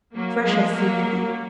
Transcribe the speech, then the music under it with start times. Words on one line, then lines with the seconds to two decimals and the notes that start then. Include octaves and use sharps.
Afresh I seek thee.
0.14 F#3 A#3
0.44 F3 G#3
0.73 F#3 A#3